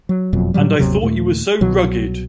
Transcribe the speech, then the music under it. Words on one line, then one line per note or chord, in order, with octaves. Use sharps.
And I thought you were so rugged!
F#3
F#1 F2 B2 F#3
A2 D3 F#3 G3
G1 D#2 C3 F#3
D#2 A#2 A3
C2 B2 F#3